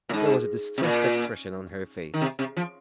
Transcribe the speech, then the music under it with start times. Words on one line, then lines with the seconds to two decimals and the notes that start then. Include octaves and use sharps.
There was a distressed expression on her face.
0.09 A#2
0.13 G#2
0.78 C3
0.83 A#2
2.14 D#3
2.21 C3
2.39 C3
2.57 F3